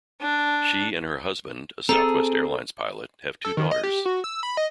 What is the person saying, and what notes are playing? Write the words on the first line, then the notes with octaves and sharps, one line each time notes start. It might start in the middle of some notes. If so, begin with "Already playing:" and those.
She and her husband, a Southwest Airlines pilot, have two daughters.
D4
C4 G#4 A4 A#5
A4
D#3
D#5
G4
F#4
E6
B5
D#5